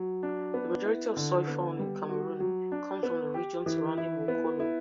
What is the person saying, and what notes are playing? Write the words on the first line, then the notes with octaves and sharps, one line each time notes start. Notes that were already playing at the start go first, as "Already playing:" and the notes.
The majority of soy found in Cameroon comes from the region surrounding Mokolo.
Already playing: F#3
D4
B3
E4
D3
B3
G3
F#4
F#3
D4
B3
G4
E3
E4
B3
E4